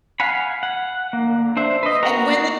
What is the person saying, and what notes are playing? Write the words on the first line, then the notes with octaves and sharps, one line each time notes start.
There are, and when they
F5 F#5 G#5 B5
F#5
A#3
D4 C5 E5
B4 D#5
F#4 A#4 A#5